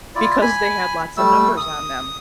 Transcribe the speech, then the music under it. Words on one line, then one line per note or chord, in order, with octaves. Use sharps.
because they had lots of numbers on them.
E4 F4 D5
G#5 B5
G3 A3 E6
D#6